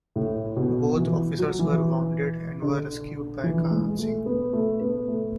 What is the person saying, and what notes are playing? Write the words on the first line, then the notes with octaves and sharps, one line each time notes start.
Both officers were wounded, and were rescued by Kahan Singh.
A2
B2
E3
F#3
E3
D3
E3
G#3
A3
B3
A3
B3
A3